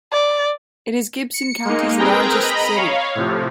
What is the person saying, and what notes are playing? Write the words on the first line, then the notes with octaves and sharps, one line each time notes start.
It is Gibson County's largest city.
D5
C#7
G#3 A#3 D#4
C4 G#4 A#4 B4 G5 A#5
D#5 A#5 B5
C#5 F5
A2 C3 F3